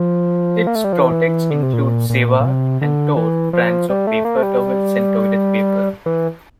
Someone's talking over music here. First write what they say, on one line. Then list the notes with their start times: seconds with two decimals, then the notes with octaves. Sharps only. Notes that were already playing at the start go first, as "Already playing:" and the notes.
Its products include "Zewa" and "Tork" brands of paper towels and toilet paper.
Already playing: F3
0.67 A#3
0.75 A3
0.84 G3
0.93 F3
1.01 E3
1.50 D3
1.63 C3
1.73 A#2
2.10 A#2
2.40 A#2
2.45 C3
2.81 D3
3.17 E3
3.53 F3
3.90 G3
4.07 A3
4.25 A#3
4.37 A3
4.43 G3
6.06 E3